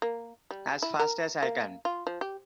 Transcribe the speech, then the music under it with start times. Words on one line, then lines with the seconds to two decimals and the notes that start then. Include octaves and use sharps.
As fast as I can!
0.02 A#3
0.51 G3
0.83 E4
0.99 A#4
1.43 A#3
1.85 F4
2.07 F3
2.21 G4